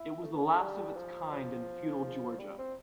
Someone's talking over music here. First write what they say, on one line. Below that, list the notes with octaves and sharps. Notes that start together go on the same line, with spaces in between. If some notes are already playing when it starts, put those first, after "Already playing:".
It was the last of its kind in feudal Georgia.
Already playing: E4
A3
B3
A3
A3
G3
F3
F3
G3
C4